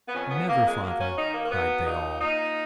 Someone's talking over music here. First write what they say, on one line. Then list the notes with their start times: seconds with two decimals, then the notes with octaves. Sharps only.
"Never, father!" cried they all.
0.06 B3
0.12 F2 C#4
0.30 B3
0.47 F2 A#3
0.65 G#3
0.82 F#3 A#3
0.99 C#4
1.16 D#3 D#4
1.33 A#3
1.44 A#3
1.50 F#3 B3
1.85 A#2 D#4
2.20 A#2 D#4